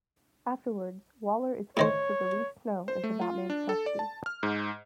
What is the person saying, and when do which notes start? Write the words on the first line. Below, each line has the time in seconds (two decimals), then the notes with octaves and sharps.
Afterwards, Waller is forced to release Snow into Batman's custody.
1.77 A2 D#3 C5 C#5
2.88 C5
3.04 A3
3.21 F4
3.50 D4
3.69 A4
3.86 D5
3.99 A5
4.26 F6
4.43 G#2